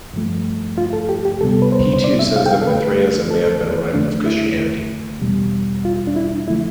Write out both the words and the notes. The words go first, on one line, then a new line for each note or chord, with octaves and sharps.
He too says that Mithraism may have been a rival of Christianity.
G2 F3 A3
F4
A4
G4
G4
D2 C3 G3 B3 A4
B4
C5
C5
D5
E5
F5
G5
F5
A4
F2 D3 A3 B4
A4
F2 D3 A3 D4
E4
E2 B2 G3
F4
D4
E4
D3 F3 A3 E4